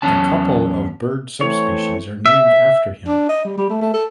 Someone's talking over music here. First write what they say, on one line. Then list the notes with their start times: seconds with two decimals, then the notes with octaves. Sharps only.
A couple of bird subspecies are named after him.
0.02 E2 F#3 C#4 A5
1.41 E3 A3 C4 C#5
2.26 E5
3.07 D4
3.29 D#5
3.45 G3
3.58 G3
3.70 A3
3.82 A3
3.93 A4